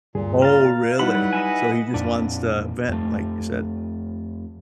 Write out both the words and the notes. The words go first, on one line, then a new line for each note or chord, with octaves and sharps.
Oh, really? So he just wants to vent, like you said?
D2 G2 A#2 G#4
F5 A#5 A6
F#3 G3 D#4 E4 B4 F#5 B5
D#5 E5 G#5
F2 A#2 D4
F2 A3